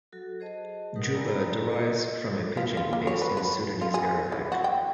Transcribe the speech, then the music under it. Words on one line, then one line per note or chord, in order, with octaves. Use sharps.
Juba derives from a pidgin based in Sudanese Arabic.
F#3 F#4 A4
G#4 C5 D#5 A5
F#3 G4 A#4 B4 F#5 D#6
D5 G5 G#5 A#5 B5 E6
B4 D#5
F4
F4
A#3
C#5
B4
B4
F4
G#4
E3
F#4
G5